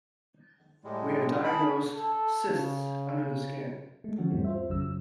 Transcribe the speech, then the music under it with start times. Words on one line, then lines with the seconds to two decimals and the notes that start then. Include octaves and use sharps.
We have diagnosed cysts under the skin.
0.84 A2 G3 G#3
1.44 G#4 A5 B5
1.94 A4
2.48 C#3
4.04 G#3 A3
4.18 D3 E3 F3 C#4 F#4
4.30 E2 G#2 G3 A3 C4
4.44 F4 C5 E5
4.69 A#1 F#2 C#3 F#3 E6
4.82 E6